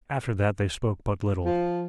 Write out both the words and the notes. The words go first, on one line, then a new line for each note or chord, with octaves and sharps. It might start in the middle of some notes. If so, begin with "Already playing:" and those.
After that they spoke but little.
F3